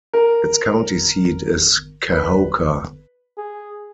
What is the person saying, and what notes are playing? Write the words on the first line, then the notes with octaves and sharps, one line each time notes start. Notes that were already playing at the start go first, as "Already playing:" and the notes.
Its county seat is Kahoka.
A#4
B4
G#4